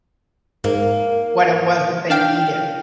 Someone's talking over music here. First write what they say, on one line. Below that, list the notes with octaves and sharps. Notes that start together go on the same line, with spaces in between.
what it was that they needed.
G#2 A#3
D4 F5 G5